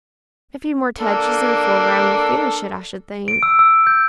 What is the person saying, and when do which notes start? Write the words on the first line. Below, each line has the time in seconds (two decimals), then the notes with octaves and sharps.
'A few more touches in the foreground will finish it, I should think.
0.99 A#3 D4 A4
3.28 D7
3.43 E6
3.59 E6
3.87 G6